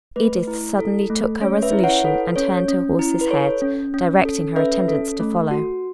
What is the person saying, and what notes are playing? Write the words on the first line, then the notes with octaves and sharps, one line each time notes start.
Edith suddenly took her resolution, and turned her horse's head, directing her attendants to follow.
A3 B4
E4
A4
A3
C#4 C#5
B4 E5
E4
C#5 F#5
A4 B4
C#4 C#5
C#4
E4
B4
A4 C#5
C#4
C#4
A4
C#4 B4 E5
A4
A3
F#4